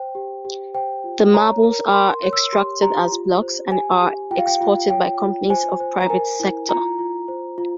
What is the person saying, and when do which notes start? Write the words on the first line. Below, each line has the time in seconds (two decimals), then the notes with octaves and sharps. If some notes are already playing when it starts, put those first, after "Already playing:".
The marbles are extracted as blocks and are exported by companies of private sector.
Already playing: C5 G5
0.15 G4
0.45 G4
0.74 C5 G5
1.04 F4
1.34 C#5 A#5
1.63 A#4
1.93 A#4 C6
2.23 C#5
2.33 E6
2.53 G4 C6
2.82 G4 A#5
3.12 F4
3.42 C5
3.71 G4 G#5
4.02 G4
4.31 F4 G5
4.38 F5
4.47 G5
4.61 F4
4.90 C#5 G5
5.20 F4
5.50 C5 G#5
5.80 C5
6.01 A#5
6.10 A#4 G#5
6.40 E4
6.69 F4 A#5
6.99 F4
7.28 C5
7.58 F4